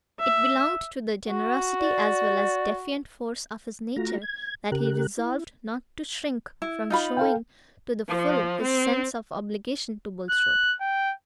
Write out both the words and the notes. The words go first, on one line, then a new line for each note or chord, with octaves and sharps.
It belonged to the generosity as well as defiant force of his nature that he resolved not to shrink from showing to the full his sense of obligation to Bulstrode.
E5
F#4
D5
A3 F4 F#4 A#5
G#6
C#3 G4 A#4 F#6
E4
E4
D#4 F4 B5
A4 F5 G5
F3
C4
F#6
G5